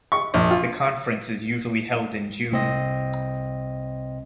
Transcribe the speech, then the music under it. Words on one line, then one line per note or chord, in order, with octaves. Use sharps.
The conference is usually held in June.
C#6
A#1
F4
C2 C4 D#5